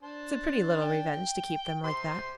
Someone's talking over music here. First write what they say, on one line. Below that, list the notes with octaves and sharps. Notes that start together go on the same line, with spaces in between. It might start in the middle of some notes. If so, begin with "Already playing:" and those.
It's a pretty little revenge to keep them like that.'
D4 C5
G5
G4 C5 C6